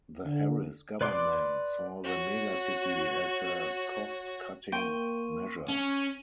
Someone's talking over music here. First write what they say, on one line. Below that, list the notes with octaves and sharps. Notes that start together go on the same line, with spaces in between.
The Harris government saw the megacity as a cost-cutting measure.
D3
B4 D5 C6 D6 F#6
F#4 C#5
A#3 G5 C6 C#6 D#7
C#4